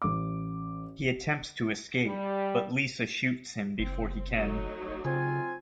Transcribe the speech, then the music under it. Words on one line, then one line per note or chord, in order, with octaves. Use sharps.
He attempts to escape, but Lisa shoots him before he can.
A1 D6
G3
F#1 C4 C5
F#3 A3 D#4
C#3 C4 F4 G#5